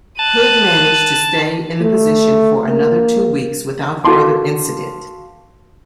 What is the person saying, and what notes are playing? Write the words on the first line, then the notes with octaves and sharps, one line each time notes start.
Hood managed to stay in the position for another two weeks without further incident.
A5 F#6 D#7
A3
A#3
F#4 A4 F5 A5 C6 D6